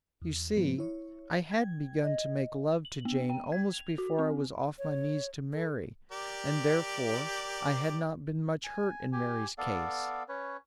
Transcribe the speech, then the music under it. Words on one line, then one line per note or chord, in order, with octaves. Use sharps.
You see, I had begun to make love to Jane almost before I was off my knees to Mary, and, therefore, I had not been much hurt in Mary's case.
E2
G#2 F3 B3
E4 C#5
G5 G#6
D#5
F#7
B3
G5
G#6
F7
F#4
C4
C#5
A4
G4 A#4 D5
G#5
G4 G#5
B3 A4 D5 F5
C#4 B4 C#5